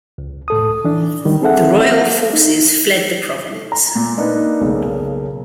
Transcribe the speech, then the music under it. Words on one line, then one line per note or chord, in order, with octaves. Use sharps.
The royal forces fled the province.
C#2
A2 A4 D#6
E3 D4
D#3 G3
C4 G#4 A4 E5 F#5
D#4
A#5
A#2
A#3 D4 D#4 B4
B1 C#3 A#3